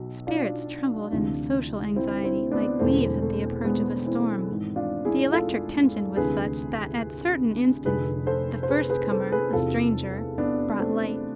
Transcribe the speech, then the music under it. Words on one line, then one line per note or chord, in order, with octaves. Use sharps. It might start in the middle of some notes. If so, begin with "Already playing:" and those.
Spirits trembled in the social anxiety like leaves at the approach of a storm. The electric tension was such that at certain instants, the first comer, a stranger, brought light.
Already playing: B1 B2
D4 F4
D2 C3 E3
C4 E4
C4 E4
B3 D4
E1 E2 D3 A3 C4
A3
G#3 B3
C4 E4
G#1 G#2 E3
D4 F4
E4 G#4
F4 A4
D2 C3 E3 G#4 B4
F1 F2 D3 G#4 B4
A4 C5
C5
G#4 B4
G#4 B4
A4 C5
G#4 B4
F1 E2 C3 F4 A4
B3 D4
A3 C4